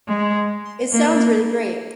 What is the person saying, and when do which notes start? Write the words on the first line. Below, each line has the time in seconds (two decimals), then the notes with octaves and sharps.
It sounds really great.
0.08 G#3
0.93 A#3